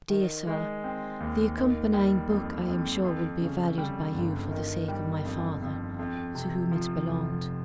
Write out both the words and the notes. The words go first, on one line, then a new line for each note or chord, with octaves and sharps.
'DEAR SIR,--The accompanying book I am sure will be valued by you for the sake of my father, to whom it belonged.
D#3
G#3
C4
D#2
D#3
G3
F2
F2
F2
C#3
G3
G1
D#3
G3
F2
F2
F2
C3
F3
F1